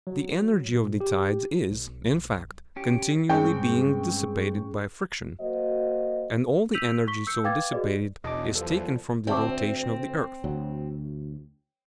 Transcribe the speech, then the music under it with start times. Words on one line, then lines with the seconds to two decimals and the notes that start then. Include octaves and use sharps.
The energy of the tides is, in fact, continually being dissipated by friction, and all the energy so dissipated is taken from the rotation of the earth.
0.07 F#3
0.72 A#2
1.01 G4
1.70 B1
2.76 C#4 G4
3.29 G2 G#3 C4 C#4 G#4 G5 C#6
5.41 F#3 A#3 F#4 C5 D#5
6.74 E6 G6 B6 D#7 F7 F#7
7.08 C#6 B6 G7
7.27 E6 G6 C7 C#7
7.44 B4 F5 G5 D6 G#6 A6
7.72 F#4 G#4 B4 D5 D#5
8.24 E2 B2 C#4 D4 D#5 A5 D6
8.55 F3 G3 B3 A4
9.27 D2 A3 C4 D5
10.44 D2 F#3